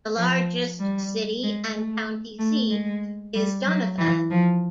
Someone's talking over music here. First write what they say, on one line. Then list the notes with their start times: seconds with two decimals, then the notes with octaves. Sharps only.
The largest city and county seat is Doniphan.
0.16 F3
0.79 G3
1.43 G#3
1.75 A3
2.39 A3
2.71 G#3
3.35 G3
3.66 F#3
3.98 E3
4.30 F3